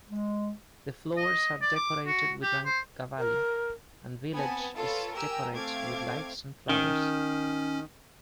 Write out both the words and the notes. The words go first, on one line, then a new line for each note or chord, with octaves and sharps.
The floors are decorated with rangavalli and village is decorated with lights and flowers.
G#3
D#5
D5
D6
F#4
G4
C5
A#4
B3 C4 G#5 A5
F4 A4 B4 C#5
G4 A#4 G5 G#5 A#5 E6
A3 C4 F5 D6 G#6
D#3 C#4